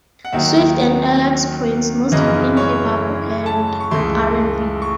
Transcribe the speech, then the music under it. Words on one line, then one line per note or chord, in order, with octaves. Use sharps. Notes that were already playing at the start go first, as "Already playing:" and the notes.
Swift and Alex Prince, mostly in hip-hop and R and B.
F#5
D#2 D#3 F#3 E5
F#2 C#3 E3 D#5
C#5
A5
C#6
C#2 C#3 E3 A3 C6
C#6